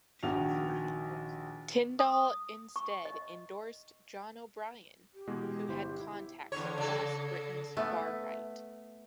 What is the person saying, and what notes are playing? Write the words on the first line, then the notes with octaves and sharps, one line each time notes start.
Tyndall instead endorsed John O'Brien, who had contacts across Britain's far-right.
A#1 D#3 F#4 F7
D#6
C#6
D#5
G4
B2 E3 G#3
G1 E4 C5
E4
E2 D3 C#5
C#3 A4
A3 B3